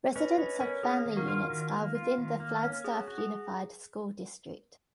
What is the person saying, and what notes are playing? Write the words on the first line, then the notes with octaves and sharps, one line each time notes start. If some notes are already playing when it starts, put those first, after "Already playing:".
Residents of family units are within the Flagstaff Unified School District.
C#4 B4 D#5
C#4 B4 D#5
C#4 A#4 C#5
A#3 G#4
D#3
F#4 A#4
F4
D#3
A#3
F4
D#3
A#3
C#4
F#4 G#4
F#4
G#4